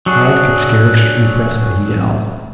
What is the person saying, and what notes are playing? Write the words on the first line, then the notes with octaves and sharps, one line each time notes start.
Tad could scarce repress a yell.
F#3 D4 F#4 G#4